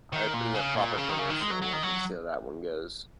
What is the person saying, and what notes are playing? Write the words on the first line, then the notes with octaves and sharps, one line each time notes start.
I put in a proper promotion at work and see how that one goes.
D#3
A#2
C#3
A#2
C#3
D#3
C#3
D#3
G#3
F#3
F#3
D#3
F#3